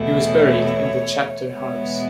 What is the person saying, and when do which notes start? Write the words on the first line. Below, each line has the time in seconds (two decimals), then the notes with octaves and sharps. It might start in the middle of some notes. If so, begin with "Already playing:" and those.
He was buried in the chapter house.
Already playing: E2 B2 A3 E4
0.28 C#5
1.53 E2 B2 G#3 B3 E4 C#5